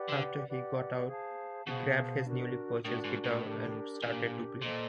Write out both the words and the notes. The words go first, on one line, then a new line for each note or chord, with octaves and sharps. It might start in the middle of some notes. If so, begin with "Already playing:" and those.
After he got out, he grabbed his newly purchased guitar and started to play.
Already playing: G4 B4 D5 F#5
D3
G4 B4 D5 F#5
G#4 C5 F5 A5
B2 G#4 C5 F5 A5
D4 F#4 A#4
A2 D4 F#4 A#4
G#2
A2
D4 G4 A#4
A#2 D4 G4 A#4
A#2 A4 C5 D#5